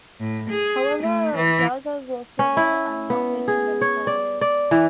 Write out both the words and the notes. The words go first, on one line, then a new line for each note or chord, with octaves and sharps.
However, Gallagher also wrote, "I'm not making any claims".
A2
G#4
A3
E3
C#4
E4
B3
G#4
C#5
D5
D5
E3